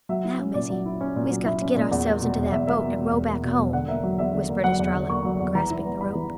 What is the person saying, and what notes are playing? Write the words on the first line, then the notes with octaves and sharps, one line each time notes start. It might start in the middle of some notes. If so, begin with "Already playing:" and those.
"Now, Missy, we's got to git ourselves into that boat and row back home," whispered Estralla, grasping the rope.
F#3 E5
E4
C#4
A#2 D5
F#3
E4
C#4
A#2
F#3
E4 E5
C#4
A#2
E2
A#3
B2
E1
E2 E5
A#3 E5
B2
E1
E2
A#3
B2
E1
D3 F#5
A#3 E5
F#3
E2 E5
D3
A#3
F#3 F#5
E2
D3
A#3 C#6
F#3
E2
E3 A#5
E4
B3
G2 B5
E3